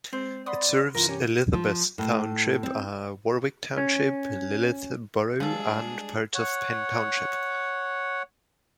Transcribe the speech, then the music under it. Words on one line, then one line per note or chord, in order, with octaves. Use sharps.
It serves Elizabeth Township, Warwick Township, Lititz Borough, and parts of Penn Township.
G#3 C4 C5
D5 F#5 B5 C6 D#6
G2 C3 E3 F4 A#4
C#4 G4
F3
A2
C4
C#4
F3 G3 G#3 D4 G#4 A4
C#5 F#5